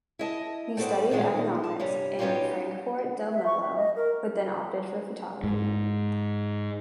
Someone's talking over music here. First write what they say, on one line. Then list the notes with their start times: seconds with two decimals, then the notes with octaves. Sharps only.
He studied economics in Fráncfort del Melo, but then opted for photography.
0.19 E4 D#5 A5
0.77 B3 C4 F#4 A4 D5 G5
1.11 A#2 D#3 G#3 A3 F4
1.64 A5
1.80 G2 C3 G3 C#4
2.19 G3 B3 C#4 D#4 F4 G4
3.32 E5
3.46 C#6
3.61 E5
3.76 D#5
3.96 A#4
5.44 G#2